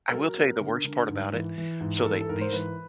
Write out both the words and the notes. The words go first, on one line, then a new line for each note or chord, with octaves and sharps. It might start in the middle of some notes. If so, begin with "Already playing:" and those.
I will tell you the worst part about it. So, they these
A4
F#3 A#4
B3
D3
D3
G#2
E3
E3
G#2
A#4
E3 A4
A4
G#2 A#4
C5
E3 B4